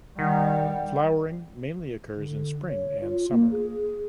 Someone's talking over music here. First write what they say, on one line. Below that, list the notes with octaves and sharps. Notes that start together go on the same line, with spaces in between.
Flowering mainly occurs in spring and summer.
D#3 G3 F#5
D3
C#5
F4
A#3
G#4